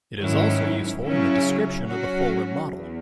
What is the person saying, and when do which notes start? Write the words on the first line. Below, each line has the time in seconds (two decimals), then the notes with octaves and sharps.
It is also useful in a description of the fuller model.
0.20 G#2 D#3 F#3 C#4 E4
1.04 C#3 F#3 C#4 E4
1.87 F#3 C#4 F#4
2.70 E2